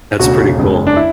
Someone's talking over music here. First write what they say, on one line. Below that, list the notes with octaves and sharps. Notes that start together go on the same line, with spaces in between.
That's pretty cool.
E1 D2 C#3 F#4
F#1 E2 C#3 G#3
D4
E4